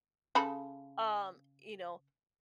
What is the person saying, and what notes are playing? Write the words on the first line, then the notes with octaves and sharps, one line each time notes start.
um, you know,
C#3 A4 B5